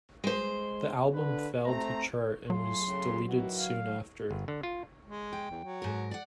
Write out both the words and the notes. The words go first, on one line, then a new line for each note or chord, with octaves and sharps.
The album failed to chart and was deleted soon after.
G#3 C5
D3 B4
A3 C4 C5 A#5
F#3 A3 F4 G#4 C6
A2 C#3
D#3 E3 F#4
F5
G1
D3
F4
G#3
G5
E2
F#3
G#2 A#4
D5 F#5